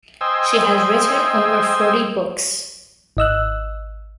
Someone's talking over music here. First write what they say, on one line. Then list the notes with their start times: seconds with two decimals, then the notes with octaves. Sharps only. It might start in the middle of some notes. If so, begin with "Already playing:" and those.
She has written over forty books.
0.21 C5 D#5 G5 G#5 E6
3.17 G#1 D#5 E6 F#6